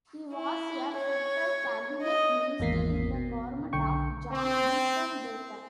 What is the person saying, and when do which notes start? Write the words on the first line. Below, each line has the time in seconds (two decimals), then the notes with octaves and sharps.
He was a federal cabinet minister in the government of John Diefenbaker.
0.35 E4
0.97 C#5
2.03 D#5
2.59 G#1 E2 G#2 A#3 B6 C7
3.14 B2
3.73 B1 D3 G5 C#6
4.32 C4